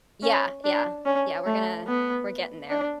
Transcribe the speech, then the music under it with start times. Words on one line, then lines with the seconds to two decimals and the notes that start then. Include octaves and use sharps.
Yeah, yeah, yeah. We're gonna we're getting there.
0.22 C#4
0.64 D4
1.05 C#4
1.46 A3
1.88 B3
2.70 D4